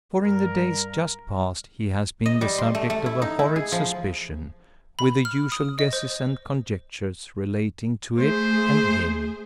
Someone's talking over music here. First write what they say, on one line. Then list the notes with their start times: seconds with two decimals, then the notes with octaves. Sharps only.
For in the days just past he has been the subject of a horrid suspicion, with the usual guesses and conjectures relating to it and him.
0.25 G2 A#4
2.26 D#5
2.41 G3
2.58 C6
2.75 A3
2.90 A3
3.06 E4
3.22 D#4
3.39 E4
3.56 G#4
3.72 F3
4.99 B5
5.25 F6
5.52 D#6
5.79 D#5
5.93 C5
8.18 A3 G#4 C5